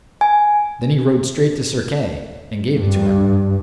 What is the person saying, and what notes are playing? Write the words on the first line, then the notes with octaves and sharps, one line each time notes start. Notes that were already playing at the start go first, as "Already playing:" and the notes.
Then he rode straight to Sir Kay, and gave it to him.
G#5
G2